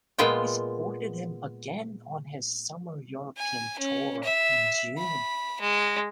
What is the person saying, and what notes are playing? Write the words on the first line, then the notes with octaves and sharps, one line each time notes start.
He supported him again on his summer European Tour in June.
A#2 G#3 B3 F4 G5
G#5
C#4
E5
B5
G#3